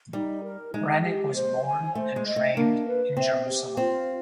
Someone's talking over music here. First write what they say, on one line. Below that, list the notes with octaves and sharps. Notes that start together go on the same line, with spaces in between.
Granit was born and trained in Jerusalem.
G3 D#4
A#4
G#3 D#4
G4
C5
G#5
A3 C5
G#3
D#5
A3
A#3 D4
B4
C4 E5
G4
C4 F4